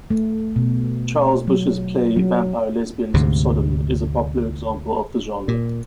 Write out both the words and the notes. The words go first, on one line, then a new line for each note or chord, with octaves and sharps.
Charles Busch's play "Vampire Lesbians of Sodom" is a popular example of the genre.
A3
B2
F#3
F#3
D2 G#2 C3
A#2